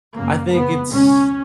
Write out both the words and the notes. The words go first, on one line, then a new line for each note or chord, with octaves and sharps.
I think it's
F#2 C#3 A#3
F2 C#3 B3
C#2 B2 C#4